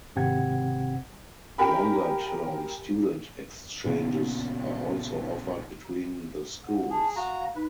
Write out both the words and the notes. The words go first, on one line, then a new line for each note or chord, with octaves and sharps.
Longer-term student exchanges are also offered between the schools.
G#1 C3 C4 F#5 G#6
G4 A#4 G5 G#5 B5
A#1 C#3 A#3 B3
F#5
G#4 A5
F#4 F5 A#5
D#4 B4